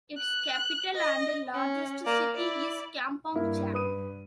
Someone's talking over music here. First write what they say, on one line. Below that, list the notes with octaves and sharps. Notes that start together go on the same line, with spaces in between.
Its capital and largest city is Kampong Cham.
F#6
D#5
C#4
A#3 D5
E4 D5
G2 A#3 E4
B4 D#6 D#7